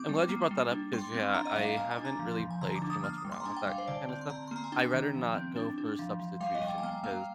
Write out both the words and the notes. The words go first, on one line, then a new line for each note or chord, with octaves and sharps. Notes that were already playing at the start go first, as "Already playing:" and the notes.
I'm glad you brought that up ‘cause, yeah, I haven't really played too much around with that kind of stuff. I'd rather not go for substitution, because,
Already playing: C4 D6
G3
A#3
G3
D4
G3 C6
C4
D4 A#5
D#5
G5
G3 F5
F5
A#3 G#5
G#5
D4
A#5
F3
F3
G#5
D3 A#5
D6
D4
D#6
A#3 F6
D#6
G3
C6
A#5
D4 G#5
G5
G3 F5
C5
D3 D5
C4
C6
D3 A#5
C6
A#3 A#5
G#5
D4 G5
D#3
F3
C4
D4
D4
F3
F3
G3 F5
D#5
G3
G5
G#5
A#3 G5
A#3 F5